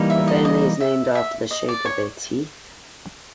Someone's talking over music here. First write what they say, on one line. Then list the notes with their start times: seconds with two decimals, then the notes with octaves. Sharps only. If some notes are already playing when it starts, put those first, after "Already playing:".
The family is named after the shape of their teeth.
Already playing: E3 G3 A#3 D#4
0.10 E5
0.28 D#5
0.45 D#5
0.80 E5
1.15 E5
1.51 D#5
1.68 D5
1.85 C#5